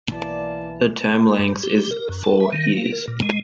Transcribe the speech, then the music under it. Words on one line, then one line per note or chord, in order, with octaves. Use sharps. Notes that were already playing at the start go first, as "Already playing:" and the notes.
The term length is four years.
B1 E3 A#3 B4 D5 A5
G2
G4
G4
A#4
F#2
A5
E5
D#3
A#3
A#4
A#2
G#3